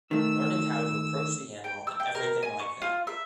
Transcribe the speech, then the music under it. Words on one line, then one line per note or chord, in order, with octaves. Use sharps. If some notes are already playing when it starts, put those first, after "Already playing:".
Learning how to approach the animal and everything like that.
D#3 A3 E6
G5
E6
G5
A#4
G#5
C#6
F4
E5